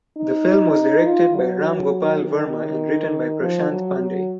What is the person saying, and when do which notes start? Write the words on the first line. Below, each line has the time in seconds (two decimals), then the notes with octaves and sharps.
The film was directed by Ram Gopal Varma and written by Prashant Pandey.
0.17 D#4
1.06 F4
1.36 F#3
2.23 D#3
3.41 F3
3.71 F#3
4.00 F#3